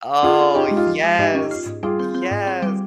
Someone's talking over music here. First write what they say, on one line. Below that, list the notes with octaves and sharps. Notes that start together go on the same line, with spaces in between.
Oh, yes, yes.
C#4 F4 G#4
C#4
C#4 D#4 G4
F4
G#3
F4
F3
G#3
G#2 D#4 G4
C#4
F4
G#2
G3 F4 G#4
C4
C4
G#2
C4
G3